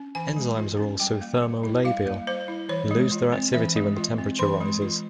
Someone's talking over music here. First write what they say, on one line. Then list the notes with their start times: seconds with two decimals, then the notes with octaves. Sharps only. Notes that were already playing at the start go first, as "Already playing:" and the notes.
Enzymes are also thermolabile and lose their activity when the temperature rises.
Already playing: C#4
0.15 E3 G#5
0.36 G#3
0.57 F4
0.79 C#4
1.00 G3 G5
1.21 A#3
1.42 G3
1.63 E4
1.85 G3 F5
2.06 A#3
2.27 G3 C5
2.48 E4
2.69 E3 C#5
2.91 G#3
3.12 F4
3.33 C4
3.54 E3 E5
3.76 G#3
3.96 F4
4.18 C4
4.39 E3 C6
4.61 G#3
4.82 F4